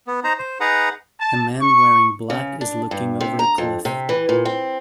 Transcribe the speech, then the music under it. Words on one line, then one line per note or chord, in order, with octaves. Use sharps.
A man wearing black is looking over a cliff.
B3
D#4 C5 A#5
C5
D#4 G#4 B4 F#5 A#5
A5
C#6
C#3
D4
G2
C3
A#5
F2
C3
E3
A#2
C4